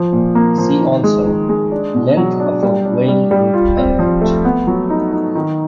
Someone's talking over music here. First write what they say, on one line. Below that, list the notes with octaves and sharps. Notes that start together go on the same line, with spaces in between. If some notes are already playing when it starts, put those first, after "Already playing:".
See also: length of a Weyl group element.
Already playing: F3
A#2
A#3
F3
D#3
G#3
D#3
G#3
D4
B2
F#3
D4
G3
D4
G3
G3
F4
C4
F3
A3
B3
F#3
D#4
D#4
D#3